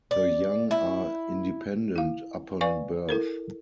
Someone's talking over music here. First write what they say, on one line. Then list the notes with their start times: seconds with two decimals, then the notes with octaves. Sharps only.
The young are independent upon birth.
0.11 D5
0.71 E4
1.96 E4 F5
2.61 B4 D5 F5 G#5 C#6
3.09 E4 A4 A#4